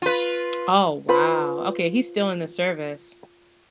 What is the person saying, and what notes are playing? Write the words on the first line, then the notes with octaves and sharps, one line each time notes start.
Oh, wow. Okay, he's still in the service.
F4 B4
F4 B4 C5 B5